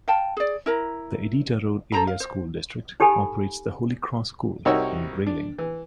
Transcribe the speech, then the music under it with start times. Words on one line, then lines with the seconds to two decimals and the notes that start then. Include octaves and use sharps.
The Iditarod Area School District operates the Holy Cross School in Grayling.
0.08 F5 G5 A5
0.37 G#4 D5
0.66 E4 A#4 A#5
1.92 A4 C5 A#5 B5
2.07 F5
2.20 C5
3.00 D#4 G4 A4 G#5 B5
4.65 C2 D#4 F#4 A#4 C#5 E6
5.27 D4
5.58 E3